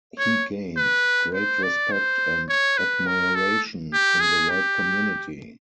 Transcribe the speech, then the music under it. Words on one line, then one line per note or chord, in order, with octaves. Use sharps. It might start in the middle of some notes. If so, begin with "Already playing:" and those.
He gained great respect and admiration from the white community.
C#5
B4
C5
D5
C5
C#5
B4
A#4
A4
G4
G#4
G4